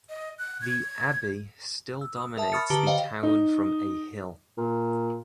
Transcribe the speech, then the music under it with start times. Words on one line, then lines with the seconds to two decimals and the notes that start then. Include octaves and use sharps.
The abbey still dominates the town from a hill.
0.10 D#5
0.39 F#6
0.62 G#6
2.01 E6
2.17 D#6
2.37 A#4 E5 A5
2.52 B5 C#6 D#6 F6 A6 C#7
2.70 D3 G4 B4 A5 A#5
2.86 C5 D#5 F5 G5
3.23 D#4
4.57 A#2